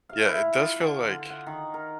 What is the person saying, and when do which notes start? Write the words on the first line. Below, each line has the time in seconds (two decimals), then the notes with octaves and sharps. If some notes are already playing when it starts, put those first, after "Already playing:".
Yeah. It does feel like
0.09 F5
0.28 E4
0.60 F4
0.81 D3
1.06 D3
1.30 F#5
1.47 D#3
1.74 A#4